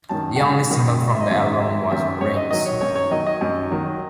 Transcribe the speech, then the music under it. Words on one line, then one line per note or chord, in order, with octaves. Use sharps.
The only single from the album was "Rings".
F#2 D#3 A5
F#5
G#1 G#5
F#2 D#3
G#1
E5
D#5
F#2 D#3
E5
G#1 E5
F#2 D#3 E5
F#2 C#5
D#5
D#3 F#3 D#5
C#5
F#2 C#5
C#5
D#3 F#3 D#5
D#5
F#2
D#3 F#3